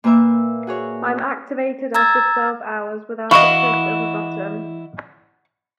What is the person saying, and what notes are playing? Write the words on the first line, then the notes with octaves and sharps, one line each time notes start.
I am activated after twelve hours without a push of a button.
A#2 A#3 B4 E5 E6
F#4 G#4 C#5
A#5 E6 G#6 A6
E3 E4 F#4 D#5 F5 B5 C#6